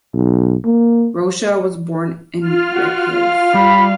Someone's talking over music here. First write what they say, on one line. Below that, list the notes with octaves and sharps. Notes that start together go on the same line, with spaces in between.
Rocha was born in Recife.
B1
A#3
F4 F6
F#4
F5
G3 B5